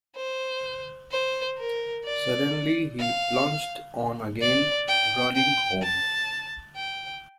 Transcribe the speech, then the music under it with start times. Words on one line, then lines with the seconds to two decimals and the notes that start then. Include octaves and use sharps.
Suddenly he plunged on again, running home.
0.16 C5
1.11 C5
1.58 A#4
2.05 D5
2.99 F5
4.41 D5
4.88 G5
5.35 G5
5.82 A5
6.76 G5